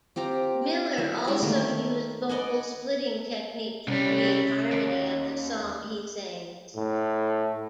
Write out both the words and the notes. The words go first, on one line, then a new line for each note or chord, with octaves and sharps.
Miller also used vocal splitting technique to create harmony on the song he sings.
C4 F4 G4 A#5
F#3 E4
G3 G#3 E4 A#4
D#3 A3 A#3 A#4
D5 D#5 F#5 G#5
C2 G3 C#4
D#2
A2